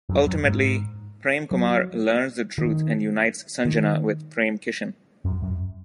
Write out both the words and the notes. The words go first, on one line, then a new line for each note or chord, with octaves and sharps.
Ultimately, Prem Kumar learns the truth and unites Sanjana with Prem Kishen.
F#2
F#2
G#2
F#3
D#3
D#3
F#2
F#2